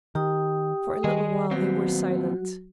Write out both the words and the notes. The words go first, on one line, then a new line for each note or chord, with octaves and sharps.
For a little while they were silent.
D#3 G4 G5 D#6
D#3 G3 G#4 D#5
A#2 F#3 B3 C4 F#4